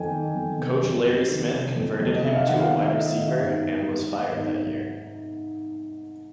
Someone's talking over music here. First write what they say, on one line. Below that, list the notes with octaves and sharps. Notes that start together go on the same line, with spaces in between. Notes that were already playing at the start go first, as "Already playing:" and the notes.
Coach Larry Smith converted him to a wide receiver and was fired that year.
Already playing: F2 D#3 G5 G#5
D#3
F2
C3
F2
F2
D#3
C3
F2
F2
D#5
C3 E5
F5
D#3 F#5
F5
F#5
D#3
E5
D#3
D#5
D#3
G#2
G#2
G#2
G#2
G#2